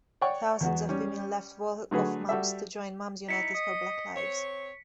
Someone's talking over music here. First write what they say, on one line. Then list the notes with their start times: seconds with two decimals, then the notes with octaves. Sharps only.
Thousands of women left Wall of Moms to join Moms United for Black Lives.
0.21 C#5 D5 F#5 G5 C#6
0.61 E2 B3 F#4
0.89 G3 C#4
1.91 D3 F#3 A3 F#4 G#4 B4
2.29 G3 F#4 A4 E5
3.29 D#4 E4 B6 C#7
3.55 D#5
4.16 C4 C#5